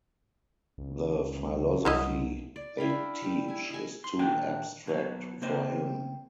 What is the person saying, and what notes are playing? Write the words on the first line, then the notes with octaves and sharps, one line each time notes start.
The philosophy they teach is too abstract for him.
C#2
C2 F#3 E4 D#5
D5
E4 F5 G5 B5
D4
G3 G4
E4 G#5
D#5 G#5
C6
D#2 A#2 D4 A#4 G5
B1 B2 F#3
C#3 A#3 C4 C5 D#5